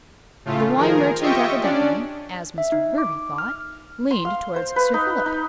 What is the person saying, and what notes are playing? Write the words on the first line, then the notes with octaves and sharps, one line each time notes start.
The wine-merchant evidently, as Mr. Hervey thought, leaned towards Sir Philip.
A2 C#3 A3 F4
D#3 F3 G#4 A#4
F4 G4 D#5 E5 G5 C#6
C#4 D4 D5
E5
D#4
D6
F6
C6
F5
C5
B4
D#4
D#4